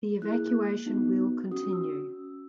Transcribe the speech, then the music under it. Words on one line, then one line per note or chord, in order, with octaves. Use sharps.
The evacuation will continue.
A#3 E4 G#4 F#6
B3 D#4 F#4
C#4 F#4 D#6
E6